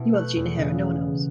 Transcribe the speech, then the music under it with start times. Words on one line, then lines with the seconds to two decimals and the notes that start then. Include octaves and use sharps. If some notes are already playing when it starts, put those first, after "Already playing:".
You are the Gina here, and no one else.
Already playing: B2 E4
0.14 A3 F#6
0.36 E2
0.57 C#3